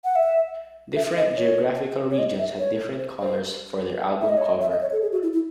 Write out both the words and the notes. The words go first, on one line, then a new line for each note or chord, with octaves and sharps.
Different geographical regions had different colours for their album cover.
F#5
E5
E5
D#5
C#5
C#5
D#5
E5
C#5
C5
C5
E5
D#5
C#5
D#5
E5
D#5
C#5
A4
G#4
F#4
E4
E4